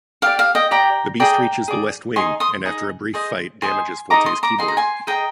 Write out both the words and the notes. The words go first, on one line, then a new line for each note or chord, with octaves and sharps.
The Beast reaches the West Wing and after a brief fight, damages Forte's keyboard.
G4 D5 F5
F5
D#5 G5
G4 D5 G5 A#5
G#4 D5 G5 A#5
G#4 D5
D#4 G#4 D#5 G#5 C6
C6 D#6
D#4 G#4 D#5
G#4 C5 D#5
G#4 C5 D#5 G#5 C6
D#4 G#4 D#5 A#5 D6
C6 D#6
A#5 D6
D#4 G#4 D#5 C6
A#5
G#5 C6
G#4 D#5 G5 A#5